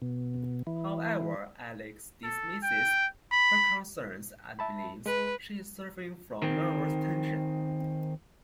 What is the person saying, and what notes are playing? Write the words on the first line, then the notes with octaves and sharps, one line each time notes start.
However, Alex dismisses her concerns and believes she is suffering from nervous tension.
B2
E3
A4
G5
B5
E5 A5 B5
G#3 B4
D#3 C4